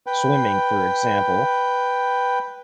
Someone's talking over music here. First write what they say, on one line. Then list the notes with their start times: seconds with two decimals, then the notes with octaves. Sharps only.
swimming, for example.
0.07 B4 G5